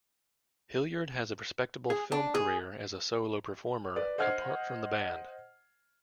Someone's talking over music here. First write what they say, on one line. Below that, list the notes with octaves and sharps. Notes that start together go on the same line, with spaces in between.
Hilliard had a respectable film career as a solo performer, apart from the band.
G#4
D4
G#4
B4 D5
C5 D#5 F#5 F6 G#6 C7